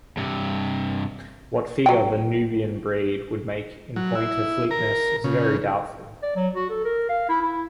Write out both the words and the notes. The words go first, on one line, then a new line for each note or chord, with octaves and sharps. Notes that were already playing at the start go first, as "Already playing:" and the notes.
What figure the Nubian breed would make in point of fleetness is very doubtful.
G2 C3
F#3 G5
F#3
E4
A#4
C#3
D5
F#3
F#4
A4
A#4
F5
E4
E4